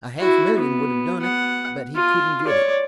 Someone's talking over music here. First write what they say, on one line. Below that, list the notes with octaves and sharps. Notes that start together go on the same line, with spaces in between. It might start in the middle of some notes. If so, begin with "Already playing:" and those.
A half million would have done it, but he couldn't get it.
E4 F#4
B3
B3 F#5
F4
C#5 D5